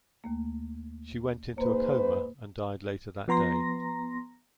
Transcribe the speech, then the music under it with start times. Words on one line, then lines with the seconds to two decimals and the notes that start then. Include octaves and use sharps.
She went into a coma and died later that day.
0.24 D#2 A3 A#3
1.58 G#2 A#3 B4 C5
3.28 F3 B3 A#5 C6 A#6